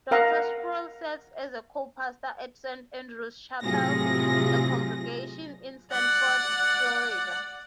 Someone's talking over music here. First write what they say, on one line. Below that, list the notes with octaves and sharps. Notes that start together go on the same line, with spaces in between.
Doctor Sproul serves as co-pastor at Saint Andrew's Chapel, a congregation in Sanford, Florida.
A#4 F5 F#5 A#5
A2 C3 F#3 F4 G#4 A#6
D5 F#5